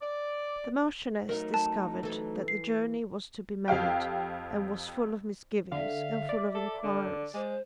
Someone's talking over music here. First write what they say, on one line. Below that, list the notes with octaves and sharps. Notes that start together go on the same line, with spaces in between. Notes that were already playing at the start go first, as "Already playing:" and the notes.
The Marchioness discovered that the journey was to be made, and was full of misgivings and full of enquiries.
D5
F#3 A3 D#4 A#4
A5
E3 A4
C7
F2 G4 F5 G5
D3 E5 F5
D5
A4
D3
G#3 C5